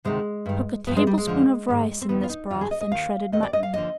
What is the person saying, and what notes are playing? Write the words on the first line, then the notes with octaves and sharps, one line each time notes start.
Cook a tablespoonful of rice in this broth and shredded mutton.
D2 C3 D#3 G#3
G2 D#3
G2 F3 B3
G#3
G3
G#3
F2 D3 F3
G#2 D#3
C4
F2 D#3 B3
F4
D#4
F2 D#3 F4
G#4
D#5
D#5
D#2 D#3 F5
D#2 D#3 D#5
D5
D#5
F5
D#2 D3 F3 D#5